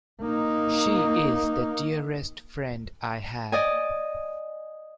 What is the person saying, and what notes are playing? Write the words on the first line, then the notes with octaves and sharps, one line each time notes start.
She is the dearest friend I have!
A#3 D#4
D5 D#5 G#5